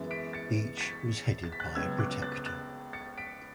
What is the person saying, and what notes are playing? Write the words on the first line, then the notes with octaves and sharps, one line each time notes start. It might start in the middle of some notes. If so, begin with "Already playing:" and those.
Each was headed by a Protector.
Already playing: F#2 E3 G#3 B3 A6
B6 D7
A6 C#7
B6
A6 C#7
A6
B6
F#6 A6
C#2 C#3 F#3 B3 E6 G#6
D6 F#6
F#6 A6
F#6 A6
A6 C#7
B6 D7